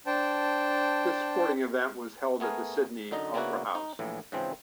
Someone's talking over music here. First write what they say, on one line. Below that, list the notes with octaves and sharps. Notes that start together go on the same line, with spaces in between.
This sporting event was held at the Sydney Opera House.
D4 C5 G5 A5
A3 B3 G#4 A#4
F#2 D3 D#4 D#5
C#3 A#3 B3 D4 E4 F#4
D#4
A#1 A2 E3
G#2 C#3 E3 F3 C4